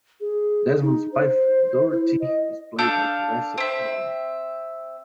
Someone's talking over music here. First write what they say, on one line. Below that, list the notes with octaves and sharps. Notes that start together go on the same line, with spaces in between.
Desmond's wife, Dorothy, is played by Teresa Palmer.
G#4
D#4
C5
E4
D#5
D4 A4 F5 G6
C4 E5